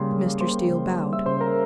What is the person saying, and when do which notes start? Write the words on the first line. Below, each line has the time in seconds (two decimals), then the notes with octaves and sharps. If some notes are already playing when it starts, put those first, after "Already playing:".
Mr. Steele bowed.
Already playing: C#3 G3 A#3 C6
0.12 C#3
0.40 A#3 C5 C6
0.69 C#3
0.98 G3
1.13 E5 E6
1.26 C#3 C5 C6
1.40 A#4 A#5